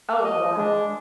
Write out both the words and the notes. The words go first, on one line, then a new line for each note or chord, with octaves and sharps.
Oh, wow.
D#5
G#3 D4